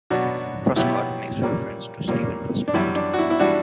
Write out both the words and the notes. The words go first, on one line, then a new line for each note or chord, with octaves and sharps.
"Truscott" makes reference to Steven Truscott.
B2 F#3 B3 D4 F#4
B2 F#3 B3 E4 G4
A#2 G3 A#3 C#4
A#2 G3 A#3 C#4
D4
F#2 E3 G3 E4
D4
F#4
E4
E4
E3 G3 D4 F#4